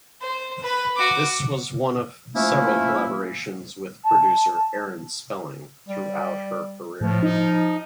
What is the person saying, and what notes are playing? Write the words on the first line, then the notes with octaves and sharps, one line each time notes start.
This was one of several collaborations with producer Aaron Spelling throughout her career.
C5
B4
F#4 D6
F3 A3 A#3 C#4 E4
A5
G3
A2 F3
D#4